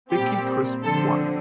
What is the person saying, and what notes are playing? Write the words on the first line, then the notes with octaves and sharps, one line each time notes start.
Bicky Crisp won.
A#2 G3 C4 G4
D3 F3 C4 A4